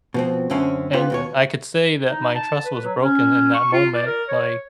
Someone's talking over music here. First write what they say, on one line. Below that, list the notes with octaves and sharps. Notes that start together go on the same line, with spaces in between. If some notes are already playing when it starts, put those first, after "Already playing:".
and I could say that my trust was broken in that moment, like
B2 F3 C4
F#2 D3 C4 C#4
B3 C4 D#4 F4 G4 B4
D#2 B2 C#5
D#4
A5
B4
F#3
C#4
C#6
F4
D5
A#4
C#5